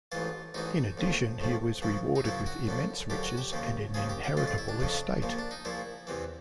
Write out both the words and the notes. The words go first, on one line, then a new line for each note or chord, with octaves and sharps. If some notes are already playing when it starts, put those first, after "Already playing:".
In addition, he was rewarded with immense riches and an inheritable estate.
A1 G#2 E3 F4
A1 G#2 E3 D#4
A#1 A2 F3
A#1 A2 F3
F#2 C#3 F3
D#4
F#2 C#3 F3 E4
F#4
F#2 D3 F3
F#2 D3 F3 G4
F#4
G4
D#2 C#3 F3
D#2 C#3 F3 G#4
G4
G4
F2 C#3 F3 F4
F4
E4
D4
F2 C#3 F3
A#1 A#2 F3
D4
D#4
A#1 A#2 F3 E4
E2 C3 E3